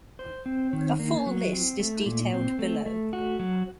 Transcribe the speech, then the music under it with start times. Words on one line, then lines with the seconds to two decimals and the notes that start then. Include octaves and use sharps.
A full list is detailed below.
0.19 C5
0.46 C4
0.73 D#3
0.99 A#3
1.26 F#3
1.53 C4
1.80 A3
2.06 A#2
2.33 C4
2.59 A3
2.86 A3
3.13 F#4
3.40 F#3